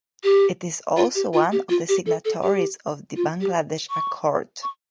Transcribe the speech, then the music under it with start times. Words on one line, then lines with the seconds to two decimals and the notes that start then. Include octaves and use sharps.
It is also one of the signatories of the Bangladesh Accord.
0.24 G4
0.97 F4
1.15 G4
1.33 F4
1.52 G4
1.70 F4
1.89 G4
2.06 A4
2.25 A4
2.43 G4
3.16 F4
3.41 G4
3.90 C#6
4.63 C#6